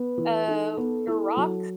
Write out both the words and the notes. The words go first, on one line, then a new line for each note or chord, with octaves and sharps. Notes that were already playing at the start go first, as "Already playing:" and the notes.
Uh, Iraq,
Already playing: B3 B4
E3
D#4 A4
B3
E4
F#3